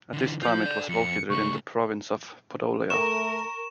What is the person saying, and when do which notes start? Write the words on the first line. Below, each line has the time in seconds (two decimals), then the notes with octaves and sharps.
At this time it was located in the province of Podolia.
0.13 D3 E3
0.43 F3 F4 G6
0.66 A4 D5
0.89 F2 C#7
1.30 C#2 A3 C#6
2.90 A3 A#4 C#6 E7